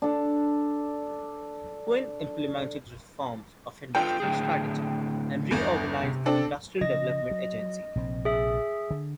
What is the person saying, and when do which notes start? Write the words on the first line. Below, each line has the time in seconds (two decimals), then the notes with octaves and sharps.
Quinn implemented reform of industrial strategy and reorganised the industrial development agencies.
0.02 D4 A4
3.95 F4 A4 B4 G5
4.20 A2 D3 G#4
5.51 G1 E2
6.03 C3
6.26 C4 D4 A4
6.81 C#3 F3 D#5 A#6
7.31 F#3
7.96 A#1 C3 C4
8.25 G#4 E5
8.91 D3